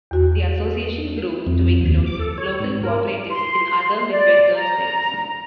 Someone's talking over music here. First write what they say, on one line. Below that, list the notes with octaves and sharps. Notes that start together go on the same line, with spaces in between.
The association grew to include local cooperatives in other Midwestern states.
E2 F#4
F2
D#2
D6
A4
C#5
G#2
A#4
C6
D5
A#5